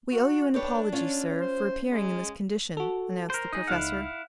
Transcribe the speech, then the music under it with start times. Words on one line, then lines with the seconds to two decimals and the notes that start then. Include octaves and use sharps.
"We owe you an apology, sir, for appearing in this condition," announced the Professor.
0.12 F#4
0.54 D4 G4 B4 C#5
0.92 C#4 F4
1.42 C5
1.92 G#3
2.77 F#4 A4
3.30 A#4 C5
3.52 D#4 G#4 D#6
3.67 C#2 D#4 E4 F5 F#5 F6